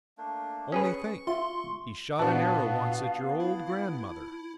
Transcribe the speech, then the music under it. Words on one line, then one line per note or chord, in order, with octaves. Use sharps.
Only think, he shot an arrow once at your old grandmother!
A3 A#3 D4
C#4 G#4 B4 C#6 D#6
F4 E5 F5 C6
A#2 B3 D4 F#4 F5 A5
E4